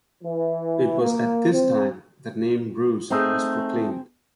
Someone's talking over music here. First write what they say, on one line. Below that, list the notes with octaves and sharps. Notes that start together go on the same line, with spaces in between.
It was at this time the name Ruse was proclaimed.
E3
A#3
C4
A3 C4 D#4 G#4